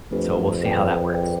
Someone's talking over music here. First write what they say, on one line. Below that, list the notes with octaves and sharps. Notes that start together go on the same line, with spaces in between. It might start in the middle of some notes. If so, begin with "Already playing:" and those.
So, we'll see how that works.
F2 A3 D4 G4 B4
G#4 B4 D5 G5
G#4 B4 D5 G5